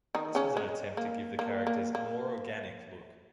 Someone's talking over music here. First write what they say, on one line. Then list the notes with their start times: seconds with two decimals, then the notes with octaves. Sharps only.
This was an attempt to give the characters a "more organic" look.
0.15 D#3 D#4
0.35 C#3 C#4
0.57 G#3
0.97 A#3
1.39 A#3
1.67 A#3
1.95 A#3